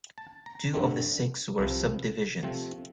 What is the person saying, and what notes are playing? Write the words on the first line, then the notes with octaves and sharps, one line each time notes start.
Two of the six were sub-divisions.
A5
A#5
G2 D3 A3 C4
C2 C3 F3
C3 F3 A3 C4